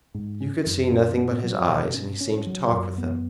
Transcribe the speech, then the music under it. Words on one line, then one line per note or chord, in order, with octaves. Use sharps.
You could see nothing but his eyes, and he seemed to talk with them.
G#2
C#4
F#2
C#4
B3
F#3
B2
C#4
C#4
F#3
F#2
B3